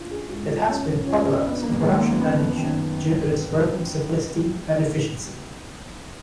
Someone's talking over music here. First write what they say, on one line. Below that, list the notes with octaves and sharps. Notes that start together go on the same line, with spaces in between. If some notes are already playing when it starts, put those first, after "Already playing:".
It has been popularized in production animation due to its relative simplicity and efficiency.
Already playing: A#1 F4
G#4
G#2 F3 F#4
F4
F1 C#4
F2 F3 C#4
A#1 B3
A#3
G#2 D#3 G#3
A#3
F#1 B3
F#2 D#3